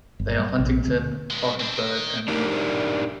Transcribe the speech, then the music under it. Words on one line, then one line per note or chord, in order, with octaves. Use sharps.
They are Huntington, Parkersburg, and Wheeling.
G1
G3
A#1
D2
G2 G#3
C4 D4
A#4 D#5
D4 D#4 G4 A#4 D5